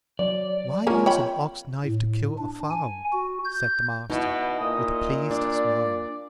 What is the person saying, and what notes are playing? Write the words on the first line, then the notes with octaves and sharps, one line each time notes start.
Why use an ox-knife to kill a fowl? said the Master, with a pleased smile.
F#3 D5
A#3 C4 C#4 F4 A#4
C#5 G5 B5
A2
D4
G#5
F#4
G6
B2 D#4 E4
A#2 D#5
D4 D5